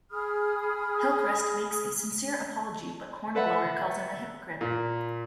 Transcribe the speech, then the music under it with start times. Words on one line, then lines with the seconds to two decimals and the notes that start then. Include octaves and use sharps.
Hillcrist makes a sincere apology but Hornblower calls him a hypocrite.
0.11 G#4 B5 D#6 F6
3.35 A4 B4 E5 F#5
4.61 A#2